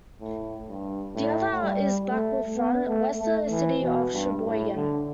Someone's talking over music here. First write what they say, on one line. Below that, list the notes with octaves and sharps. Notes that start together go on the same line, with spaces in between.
The other is Blackwolf Run, west of the city of Sheboygan.
A2
G2
A2
G3
A3
B3
A3
A3
E3
B2
G2
A2
D3